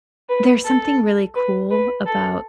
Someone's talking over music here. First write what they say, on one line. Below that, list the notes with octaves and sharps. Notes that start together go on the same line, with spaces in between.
there's something really cool about
B4
A4
B4
B4
A4